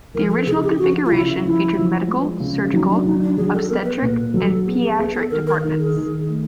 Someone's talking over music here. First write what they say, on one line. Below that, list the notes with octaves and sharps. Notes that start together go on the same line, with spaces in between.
The original configuration featured medical, surgical, obstetric and paediatric departments.
F3 A#4
A4
C#3 G#4
G4
F3 F#4
F4
C#3 E4
F3 E4
F3
G#3
C#3
F#3 D#4
D4
F#3 D#4
D4
F#3 G#4
A4
B3 A#4
B4
A#2 B4
F#3 A4
B3 G#4
G#4
B3 G#4
A4
D#3 A#4
A#4
D#3
G#4
D#3
A3